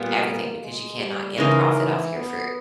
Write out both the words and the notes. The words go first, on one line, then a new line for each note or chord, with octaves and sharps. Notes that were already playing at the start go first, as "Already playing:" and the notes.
everything, because you cannot get a profit off your fruit.
Already playing: A#2 G3 A#3 B3
G#3
G3
C#3 E3 G#3 D#4 A#4
E3
B3